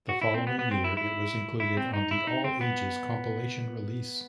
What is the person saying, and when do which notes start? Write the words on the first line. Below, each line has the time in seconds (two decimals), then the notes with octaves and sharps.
The following year it was included on the "All Ages" compilation release.
0.09 F#4
0.22 E4
0.34 C4
0.47 B3
0.59 B3
0.71 C4
0.84 E4
0.97 E4
1.60 E4
1.77 C4
1.93 D#4
2.11 E4
2.27 D#4
2.44 C4
2.61 B3